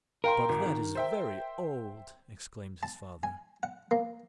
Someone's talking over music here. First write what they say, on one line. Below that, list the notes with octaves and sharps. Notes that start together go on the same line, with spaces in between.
"But that is very old," exclaimed his father.
A#4 F5 G5 C6
G#1
D#3
C5 E5 G5
A5
G#5
F#5
A#3